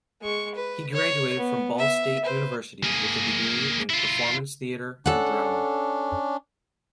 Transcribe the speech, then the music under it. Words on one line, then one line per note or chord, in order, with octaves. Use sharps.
He graduated from Ball State University with a degree in performance theater and drama.
G#3 C#6
B4
C#5
B3
E5
B4 C5
A#3 G#4
E4 F4
C#4 D4 A4 F#5